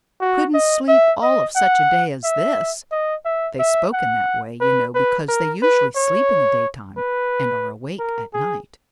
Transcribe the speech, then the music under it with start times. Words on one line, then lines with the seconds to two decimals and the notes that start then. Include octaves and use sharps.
"Couldn't sleep all of such a day as this." They spoke in that way, you know, because they usually sleep in the daytime and are awake at night.
0.21 F#4
0.54 D#5
0.88 E5
1.22 D#5
1.56 F#5
2.24 E5
2.91 D#5
3.25 E5
3.59 E5
3.93 F#5
4.60 B4
4.95 B4
5.28 A#4
5.62 B4
5.96 C#5
6.97 B4
7.99 A#4
8.34 G#4